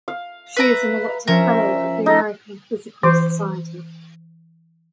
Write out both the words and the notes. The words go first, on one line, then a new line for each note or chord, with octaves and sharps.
She is an elected fellow of the American Physical Society.
F5
B4 E5 A#5
F3 C#4 A#4 C5 E5
D#4 A4 D#5
E3 C5 D6